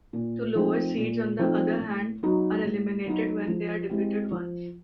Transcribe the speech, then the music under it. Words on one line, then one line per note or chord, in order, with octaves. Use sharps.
The lower seeds, on the other hand, are eliminated when they are defeated once.
A#2
F3 A3 C4 D#4
A#2
F3 A3 C4 D#4
A2
F#3 B3 D#4 F#4
A2
F#3 B3 D#4 F#4
F3
G#3 C4 E4 G4
F3